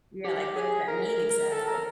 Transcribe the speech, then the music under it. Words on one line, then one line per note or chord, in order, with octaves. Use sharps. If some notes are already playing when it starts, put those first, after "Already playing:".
Yeah, like what does that mean exactly?
G4
G#4
A#4
A#4
A#4
A4
A#4